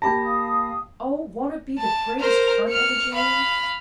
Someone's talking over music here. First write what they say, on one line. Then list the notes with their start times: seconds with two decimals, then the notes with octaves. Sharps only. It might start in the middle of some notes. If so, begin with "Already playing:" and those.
Oh! won't it be the greatest fun, Emma Jane?
0.02 A#3 G4 A5 B5 A#6
0.23 F5 D#6
1.79 A5
2.20 A#4 C5
2.69 F6 C#7
3.14 F5 B5